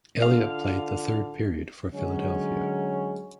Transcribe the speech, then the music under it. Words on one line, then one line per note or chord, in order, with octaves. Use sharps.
Elliott played the third period for Philadelphia.
D3 F4 F5
D3 F#3 G#3 C#4